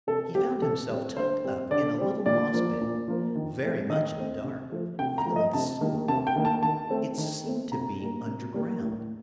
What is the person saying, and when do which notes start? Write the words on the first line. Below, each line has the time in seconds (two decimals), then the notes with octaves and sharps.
He found himself tucked up in a little moss bed, very much in the dark, feeling sore; it seemed to be under ground.
0.07 C3 A4
0.35 G3 C4 G4
0.62 C3 A4
0.89 G3 C4
1.17 D3 C5
1.44 G3 C4
1.71 D3 D5
1.98 G3 C4
2.26 A#2 D5
2.53 F3 A#3
2.81 A#2
3.08 F3 A#3
3.35 D#3
3.62 A3 C4
3.90 D#3 D#5
4.17 A3 C4
4.44 C3
4.72 F3 A3
4.99 C3 G5
5.18 A#5
5.26 F3 A3
5.36 D#5
5.53 C3 A5
5.81 D#3 A#3
6.08 C3 A5
6.27 G5
6.36 D#3 A#3
6.45 A5
6.63 D#3 A5
6.90 A3 C4
7.18 D#3
7.45 A3 C4
7.72 C3 A#5
8.00 G3 A#3
8.26 C3
8.54 G3 A#3
8.81 A2